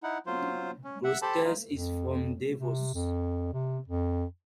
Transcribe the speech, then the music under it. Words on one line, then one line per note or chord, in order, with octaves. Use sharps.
Klosters is from Davos.
D#4 E4 F#5
F#3 F4 C5
C#4
E5 F#5
G4 A4 C5 A5 B5
D#4 F4
F2
C3
F2
C3
F2